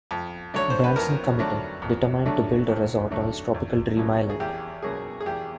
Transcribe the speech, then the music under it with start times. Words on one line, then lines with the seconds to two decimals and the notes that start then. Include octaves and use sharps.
Branson committed, determined to build a resort on his tropical dream island.
0.11 F2
0.54 D3 F#3 A3 D4 C#5
0.70 C5
0.84 B4
0.96 F2 A#4
1.39 D3 F#3 A3 D4
1.82 F2
2.25 D3 F#3 A3 D4
2.69 F2
3.11 D3 F#3 A3 D4
3.54 E2
3.97 B2 F#3 A#3 C#4
4.30 G#4
4.40 E2 G4
4.82 B2 F#3 A#3 C#4 G#4
5.21 G#4
5.26 E2 G4